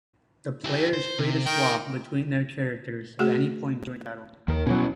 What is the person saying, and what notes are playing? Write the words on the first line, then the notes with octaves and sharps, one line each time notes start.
The player is free to swap between their characters at any point during battle.
E4 G4
C5
C3
D#3 A#4 G5
A3 F#4 G#4
D#2 D#3 A#4
B2 F#3 C#4 E4 C#5